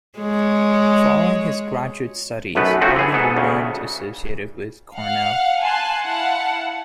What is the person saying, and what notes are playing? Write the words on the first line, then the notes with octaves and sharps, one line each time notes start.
Following his graduate studies Holley remained associated with Cornell.
G#3 C#5
B1 F#2 A3 B3 B4
F3 F#3 A3 C4 F#4
E3 G#4
G#2 B3 A4
D2 C#3
F5 F#5 F6
G#5 A5 C6 F#6
E4 F5 F#5 A5